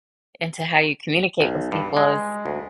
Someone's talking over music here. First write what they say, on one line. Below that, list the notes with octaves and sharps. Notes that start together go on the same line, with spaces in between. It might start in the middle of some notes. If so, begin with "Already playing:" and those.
into how you communicate with people is
B1
G2
G#3
D2